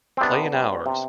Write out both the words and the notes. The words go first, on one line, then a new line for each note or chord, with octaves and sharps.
Play in ours.
C4
C3 B3 D4
G3
C3